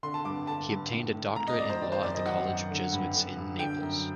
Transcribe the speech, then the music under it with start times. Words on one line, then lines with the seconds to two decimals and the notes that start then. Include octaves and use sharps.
He obtained a doctorate in law at the College of Jesuits in Naples.
0.03 D3 C6
0.14 A5
0.25 G2 D6
0.47 D3 A5
0.70 G2
0.92 A2
1.14 A2
1.36 A2 A#5
1.48 D#5
1.59 A2 D5
1.69 C5
1.81 D#3 D5
1.92 C5
2.03 F#2 D5
2.15 D#5
2.25 D#3 F#5
2.48 F#2
2.70 D3
2.93 G2
3.14 D3
3.37 G2
3.59 D3 G5
3.82 F#2